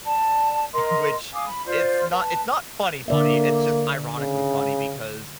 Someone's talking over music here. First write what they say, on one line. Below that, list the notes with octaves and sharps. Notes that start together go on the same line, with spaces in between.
which it's not it's not funny funny, it's just ironically funny, because
D5 A5
A#4 D#5 C6
F5 G#5 D6 D#6
B5
F4 C5 D5
B4 A5
D3 A#3 D5 E5
C#3